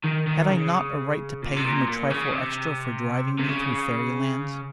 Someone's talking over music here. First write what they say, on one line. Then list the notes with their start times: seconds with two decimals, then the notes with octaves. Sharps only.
Had I not a right to pay him a trifle extra for driving me through fairy-land?
0.04 D#3
0.27 D#3
0.50 C#3
1.42 A#2
1.57 C3
1.65 A#2
1.88 A#2
2.11 C#3
2.33 C3
3.39 C3
3.49 C#3